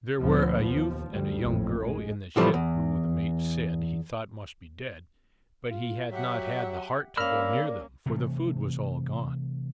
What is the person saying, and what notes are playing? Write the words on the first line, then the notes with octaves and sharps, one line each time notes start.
There were a youth and a young girl in the ship who the mate said he thought must be dead, but he had not had the heart to go near them, for the food was all gone.
D2 A#2 F3 B3
D#2 F3
D2 G3
A1 F2 A2
G#3
A2 C3 E3 F3 G3 A3
E2
F4
F#3 G4 E5 F#5
A#3 C#4 A#4 D5 F5 B5 E6 F6
C3 E3 A3